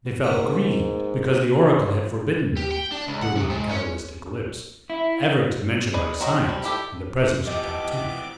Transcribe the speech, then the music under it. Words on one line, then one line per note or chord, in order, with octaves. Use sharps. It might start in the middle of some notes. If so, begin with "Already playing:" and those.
They felt grieved because the oracle had forbidden them, through my cabalistic lips, ever to mention my science in the presence of Tartufe.
G#2 A#3 B3
G4
G5
D4
C#2
F#5
C3
G#2
C#4
E4
G#4 B4 D5 D#5
F#3 C4 F#4 A4 D#5
F3 G3
E4 G4 A4
E3 F3 B3 C4 G4 D#5 D6